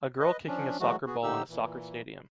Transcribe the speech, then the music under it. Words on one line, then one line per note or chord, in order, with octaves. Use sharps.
A girl kicking a soccer ball in a soccer stadium.
B4 D#5
F3 C#4 D4
E3 F#3 G#3 A3 F#4
B3 F#4 G#4
A2 D3 D#4 G4 E6
A#2 E3